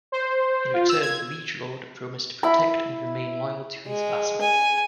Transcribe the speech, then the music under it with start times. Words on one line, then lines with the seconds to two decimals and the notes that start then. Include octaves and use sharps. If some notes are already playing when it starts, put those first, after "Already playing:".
In return the liege lord promised to protect and remain loyal to his vassal.
0.12 C5
0.74 F4
0.89 E6
1.01 G#6
2.43 E4 B5
3.87 G#3
4.41 G#5